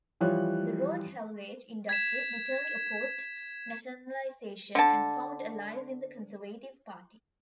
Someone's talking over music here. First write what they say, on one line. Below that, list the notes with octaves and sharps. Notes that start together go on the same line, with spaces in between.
The road haulage industry bitterly opposed nationalisation, and found allies in the Conservative Party.
E3 F3 G3 C#5 F#6
G#6 B6 E7
D3 A5